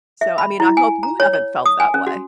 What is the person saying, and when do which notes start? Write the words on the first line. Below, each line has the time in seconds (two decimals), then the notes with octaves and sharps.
So, I mean, I hope you haven't felt that way.
0.21 E5
0.38 B5
0.60 E4
0.77 G#5
1.03 A#5
1.20 C#5
1.33 C#5
1.66 D#6
1.80 G#5
1.94 C#4
2.07 F#4